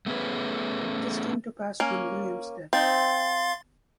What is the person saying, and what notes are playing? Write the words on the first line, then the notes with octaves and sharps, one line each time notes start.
This came to pass on William's death.
A3 B3 C#4 G#4 B4
A#3 C#4
C4 D#4 F5 C6 A6